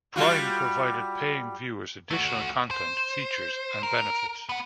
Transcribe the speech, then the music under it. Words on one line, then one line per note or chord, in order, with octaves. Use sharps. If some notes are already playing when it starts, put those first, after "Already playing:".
Prime provided paying viewers additional content, features, and benefits.
G3 F4 F#4
A3 F#4
C5
A#4
B3 F#5